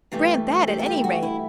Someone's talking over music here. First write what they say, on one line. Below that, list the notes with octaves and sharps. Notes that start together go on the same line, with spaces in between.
Grant that at any rate.
G2 E3 A3 G4
G4
A4
G4
E4
F#4
E4